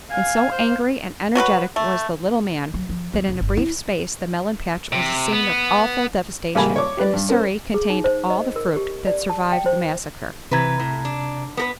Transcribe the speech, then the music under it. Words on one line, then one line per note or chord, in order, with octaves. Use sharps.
And so angry and energetic was the little man that in a brief space the melon patch was a scene of awful devastation, and the surrey contained all the fruit that survived the massacre.
F5 G#5
C5
F#3 F#4 A#4 B4
A3
F#3
F3
E2
F1
G1
E4
C3
B3
A1 C#3 G3 A#3 G#5 B5
C#5 D6
G4 B4 D5
G2
C#4 A#4 C5
G#4
D#4
C5
D#5
A#4
G4
D5
A5
G5
C5
C3 E3 B4 A#5 G#6
A2
D4
B3 A#4 B4